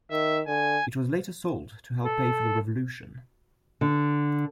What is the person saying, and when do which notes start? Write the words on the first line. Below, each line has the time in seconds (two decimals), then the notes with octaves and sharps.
It was later sold to help pay for the Revolution.
0.11 D#3 E5
0.47 D3 G#5
2.05 A4
3.81 D3